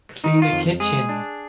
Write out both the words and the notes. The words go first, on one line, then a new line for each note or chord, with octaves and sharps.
Clean the kitchen.
D#3 D#4
F4
F2
G#3 G#4
D4